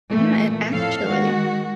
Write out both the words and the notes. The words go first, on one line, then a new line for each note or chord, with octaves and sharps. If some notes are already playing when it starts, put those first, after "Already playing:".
Yeah. And, actually"
A#2 E3 A3
F2 A2 A4 F5
D#3 G#3 F#4